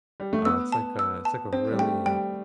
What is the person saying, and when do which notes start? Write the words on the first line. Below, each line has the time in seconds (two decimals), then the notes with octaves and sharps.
Uh, it's like a it's like a really,
0.20 G3
0.33 A3
0.45 B3 E6
0.72 A5
0.99 E6
1.25 A5
1.53 C4 C5
1.71 G3
1.79 A3 G5
2.06 G3 G5